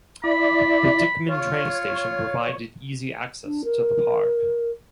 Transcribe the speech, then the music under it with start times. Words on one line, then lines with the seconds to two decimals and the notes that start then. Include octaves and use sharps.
The Dyckman train station provided easy access to the park.
0.24 E4 D5 B5
1.28 F4 C#5
3.46 D4
3.64 A#4